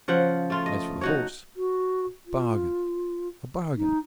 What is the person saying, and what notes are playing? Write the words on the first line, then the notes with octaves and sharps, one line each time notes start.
As for the horse--a bargain, a bargain.'
C#3 F3 F#5
A3 F4
D#5
D#4 F#4 C#5
F#4
F4
D#4